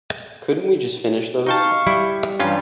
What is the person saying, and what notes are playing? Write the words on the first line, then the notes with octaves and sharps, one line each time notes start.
Couldn't we just finish those?
D#4 F5 G5 A5 C#6
G3 E4
G2 E3 F#3 G3 C#4 F4